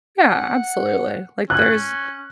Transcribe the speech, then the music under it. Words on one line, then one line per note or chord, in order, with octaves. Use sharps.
Yeah, absolutely, like there's
F#5
C#4 F#6